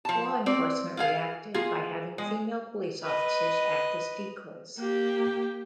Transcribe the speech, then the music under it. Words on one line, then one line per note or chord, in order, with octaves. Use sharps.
Law enforcement reacted by having female police officers act as decoys.
F3 A5
C4 D5
F4 G#4 F5
A#3 F4 G#4
G#3
B4 D#5
A#3 G4